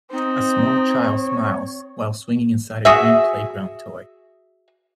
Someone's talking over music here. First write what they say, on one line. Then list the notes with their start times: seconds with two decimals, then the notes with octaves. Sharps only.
A small child smiles while swinging inside a green playground toy.
0.11 C4 D#4
1.00 C#5
2.85 F#4 G#4 E5